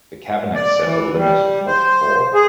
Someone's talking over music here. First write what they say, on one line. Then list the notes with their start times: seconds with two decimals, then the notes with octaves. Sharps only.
The cabinet set a limit of forty-four.
0.55 D5
0.85 E3
1.16 G3
1.67 C5
2.33 G#4